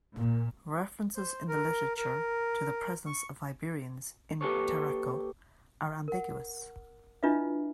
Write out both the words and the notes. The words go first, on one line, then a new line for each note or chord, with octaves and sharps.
References in the literature to the presence of Iberians in Tarraco are ambiguous.
A#2
C5
A#4
A#4
C#6
A#3 G4 A4 B4 C#5
A#4 F#5
D4 E4 F4 B4 D#5 E5